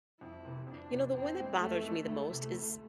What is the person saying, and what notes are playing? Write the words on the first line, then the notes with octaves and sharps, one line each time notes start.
You know, the one that bothers me the most is
F2 E4
C3 E3
F2 D4
C3 E3
F2 C4
E3 G#3
F2 A3
E3 G#3
D2 A3
C3 E3
D2